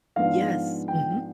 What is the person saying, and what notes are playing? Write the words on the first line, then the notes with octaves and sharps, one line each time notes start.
Yes, mhm.
G#2 F3 G#3 B3 D4 F5
G5